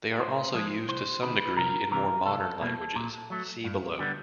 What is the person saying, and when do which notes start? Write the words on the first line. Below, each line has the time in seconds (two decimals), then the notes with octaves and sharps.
They are also used to some degree in more modern languages; see below.
0.19 A2 C5
0.54 F3 G#3
0.88 C2 C5
1.23 C3 D#3 B4
1.57 C2 A#4
1.91 C3 E3 A#4
2.26 C2 A4
2.61 B2 G3 A#3
2.96 A#2
3.30 F#3 A3
3.64 G2
3.99 D3 G3 B3